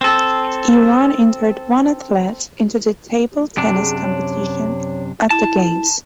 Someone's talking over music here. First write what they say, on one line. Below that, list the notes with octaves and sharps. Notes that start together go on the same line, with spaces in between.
Iran entered one athlete into the table tennis competition at the Games.
C4 A4
F#2 C3 D4
G#4
C#5
E4 A5